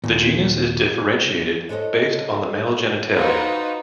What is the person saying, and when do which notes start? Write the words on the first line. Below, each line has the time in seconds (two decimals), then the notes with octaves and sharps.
The genus is differentiated based on the male genitalia.
0.04 D#2 A#2
1.69 D4 A4 C5 C#5 D#5
3.15 D#4 F4 F#4 B4 C5